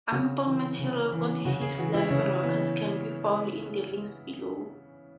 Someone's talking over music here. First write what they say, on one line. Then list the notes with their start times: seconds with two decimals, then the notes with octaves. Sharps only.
Ample material on his life and works can be found in the links below.
0.12 C#3 F#4
0.46 E3
0.79 C#3
1.12 E3
1.45 C#3 F#4
1.61 G#4
1.78 E3 F#4
1.94 E4
2.10 C#3 C#4
2.43 E3 B3